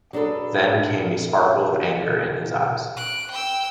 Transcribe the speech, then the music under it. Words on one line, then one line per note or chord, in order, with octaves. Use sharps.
Then came a sparkle of anger in his eyes.
F#3 D4 G#4 A4 B4
F#6 D7
G5 E6